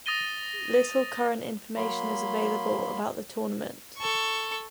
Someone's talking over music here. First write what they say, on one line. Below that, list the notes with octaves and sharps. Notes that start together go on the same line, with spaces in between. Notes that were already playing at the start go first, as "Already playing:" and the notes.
Little current information is available about the tournament.
D#6 A6 A#6 D#7 G7
F#3 A#3 B5 C6
A4 C#6